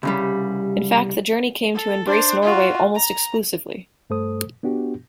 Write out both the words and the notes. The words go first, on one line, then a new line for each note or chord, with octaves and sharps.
In fact, the journey came to embrace Norway almost exclusively.
C2 C#3 G3
A4
D4 C5
F4 F#4
A#5
G2 A3 A4 C5 D#6
B3 D4 F#4 G4